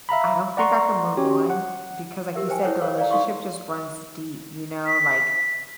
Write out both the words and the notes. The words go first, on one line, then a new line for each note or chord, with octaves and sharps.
I don't think I can move on because, like you said, the relationship just runs deep, you know, like,
E5 F5 A#5 B5
D5 F#5 A#5 C6 C#6
C#4 F#4 G4 C#5
F#5
G4 A#4 E5
B4 C5 G5 G#5
E4 A4 C5 C#5 F#5
A4 C5 C#5 F5
D5 F5 A#5
D#4 A4 F5 C6 C#6
B6